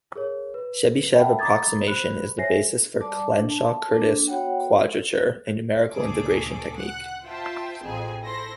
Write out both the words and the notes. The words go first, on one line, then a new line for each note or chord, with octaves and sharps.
Chebyshev approximation is the basis for Clenshaw-Curtis quadrature, a numerical integration technique.
G#4 A#4 C#5
B4
E5 F#5 G5 A5 B5
A#5 B5 D6 D#6 G#6 A6
C5 B5 F#6 F7
C5 C#5 E5 G#5 A#6 C7
G3 D5 A5 D6
D4
A5
A#3 D4
B3 F#4 C#5 F#5 G5
D2 A#2 C#3 G#4 A4 D6
F#5 F#6
F4 C5 E5 G5 A5
A1 F2 C4 G#4 G#5
E4 A4 C5 A#6